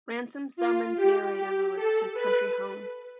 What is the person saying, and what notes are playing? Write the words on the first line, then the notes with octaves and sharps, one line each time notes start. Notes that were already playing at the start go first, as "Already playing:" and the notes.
Ransom summons narrator-Lewis to his country home.
F4
G4
G4
A4
B4